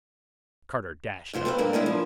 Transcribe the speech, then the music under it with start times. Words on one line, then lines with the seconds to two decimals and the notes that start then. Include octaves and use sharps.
Carter dashed up.
1.33 F2 C3 F4 C5
1.45 G4 A4 B4 C5 F5
1.58 G2 A#3 A#4
1.73 G#3 C#4 D4 E4
1.86 F3